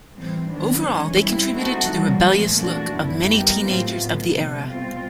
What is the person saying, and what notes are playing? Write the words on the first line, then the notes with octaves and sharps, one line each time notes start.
Overall, they contributed to the "rebellious" look of many teenagers of the era.
A2 E3 G3 C4
D#3 F#3 B3 D4
G2 E3 G#3 C#4
G3 C4 E4
A3 C4 D#4 F#4 A4
E3 G3 A#3
A#2 F3 A3 C4
E3 A3 D4 F#4
F#2 D3 F#3 B3 E4
G3 B3 D#4 G4 A#4
A2 F#3 A3 C4 F4
A2 F#3 B3
C3 F3 A3
B2 G3 C4 F4